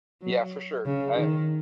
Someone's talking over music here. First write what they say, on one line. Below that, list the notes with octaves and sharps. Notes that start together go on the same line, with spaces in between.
Yeah, for sure. I
F#3
C#3
D#3